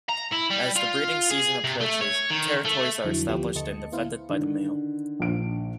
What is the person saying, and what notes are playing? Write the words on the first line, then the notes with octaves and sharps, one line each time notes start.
As the breeding season approaches, territories are established and defended by the male.
A#5
E4
G3
F4
G#4
C3
A3
C#5
D#3
A3
F2 D3 E3 F#3
D2 F3 B3 G4
D2 A3 D#5 A5 C#7
B3 E4 C5 F5
D3 D#3
A#1 D7